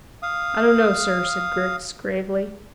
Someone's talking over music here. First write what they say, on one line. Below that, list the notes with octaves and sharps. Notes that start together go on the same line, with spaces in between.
"I don't know, sir," said Griggs gravely.
F5 D#6